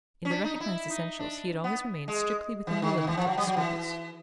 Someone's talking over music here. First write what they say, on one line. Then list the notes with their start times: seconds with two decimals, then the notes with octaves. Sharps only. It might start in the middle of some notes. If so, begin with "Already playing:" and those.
In the recognized essentials he had always remained strictly within the limit of his scruples.
0.25 C#4
0.31 D4
0.44 D#4
0.55 D#4
0.60 E4
0.90 D#4
1.19 D4
1.64 B3
2.08 G#3
2.67 E3
2.82 D#3
2.98 D#3
3.07 E3
3.17 F3
3.27 F#3
3.37 G3
3.47 F#3
3.57 E3